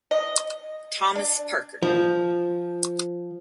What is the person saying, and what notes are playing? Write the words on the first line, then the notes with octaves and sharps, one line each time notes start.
Thomas Parker.
D#5
D4
F3